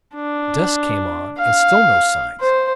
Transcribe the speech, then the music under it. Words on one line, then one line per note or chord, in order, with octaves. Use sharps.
Dusk came on, and still no signs.
D4
F5
C5